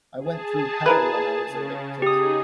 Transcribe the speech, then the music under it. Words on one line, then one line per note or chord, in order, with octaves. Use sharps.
I went through hell when I was evicted.
G#4 A5
E4 A#4 B4
C#3
D#4 G4 G#4 D#6